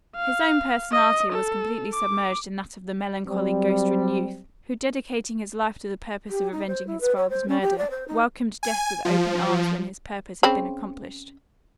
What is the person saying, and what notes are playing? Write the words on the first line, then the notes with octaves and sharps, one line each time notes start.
His own personality was completely submerged in that of the melancholy ghost-ridden youth, who, dedicating his life to the purpose of avenging his father's murder, welcomed death with open arms when his purpose had been accomplished.
F5
D#5
A4
D6
F#3 G3 C4
G4
D#4
C5
E4
B4
C#5
C5
C#4
G4
D5
C5
D#4
G#5
F3
C#3 C4 B5